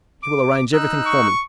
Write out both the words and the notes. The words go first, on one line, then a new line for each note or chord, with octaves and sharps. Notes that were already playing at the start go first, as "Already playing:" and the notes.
He will arrange everything for me.
D6
D#4 E6 F#6
C#6